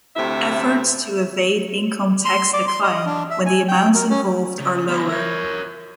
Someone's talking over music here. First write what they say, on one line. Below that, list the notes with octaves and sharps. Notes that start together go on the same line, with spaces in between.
Efforts to evade income tax decline when the amounts involved are lower.
D2 A2 C3 E5
C6
D5
C6
D#5
D4
E5
G#5
G5
A#4
C#4
C#3
G3 B3
A#4 C#5